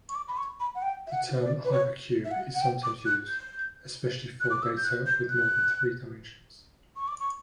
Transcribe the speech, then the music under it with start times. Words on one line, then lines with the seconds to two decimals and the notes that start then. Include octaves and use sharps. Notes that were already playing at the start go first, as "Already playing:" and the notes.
The term hypercube is sometimes used, especially for data with more than three dimensions.
0.09 C#6
0.15 D6
0.28 B5
0.37 C#6
0.60 B5
0.75 F#5
0.82 G5
1.07 E5
1.12 F#5
1.42 D5
1.65 B4
1.72 C#5
2.25 E5
2.31 F#5
2.55 F#5
2.61 G5
2.83 D6
3.06 F#6
3.28 G6
4.40 F#6
4.50 D6
4.62 E6
4.77 G6
4.84 F#6
5.06 G6
5.29 F#6
6.96 C#6
7.08 D6
7.20 C#6